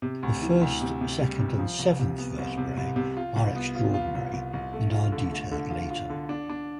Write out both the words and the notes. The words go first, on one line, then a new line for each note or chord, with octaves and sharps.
The first, second, and seventh vertebrae are extraordinary, and are detailed later.
C3
D2
E3
D2
C3
C3
G3
C3
F3
C2
C3
B3
C2
C3
C2
C3
F4
C2
B3
F4
F4
C2
C2
C2
A3
F4
D3
A3
D3
F4
F4
D3
D4
D4